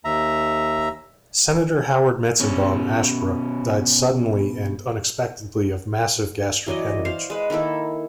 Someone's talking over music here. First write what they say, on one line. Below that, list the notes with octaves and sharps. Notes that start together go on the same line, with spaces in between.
Senator Howard Metzenbaum, Ashbrook died suddenly and unexpectedly of a massive gastric hemorrhage.
D#2 E5 A#5
B2 C#4
E3 F#3 D5 D#5
C5 F5
G#3 B4
D#3 A#3 E4 A4